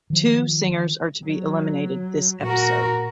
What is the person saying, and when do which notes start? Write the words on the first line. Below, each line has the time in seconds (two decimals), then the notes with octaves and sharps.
Two singers are to be eliminated this episode.
0.10 D#3 F3
1.26 F#3
2.44 A#2 F#4 A#4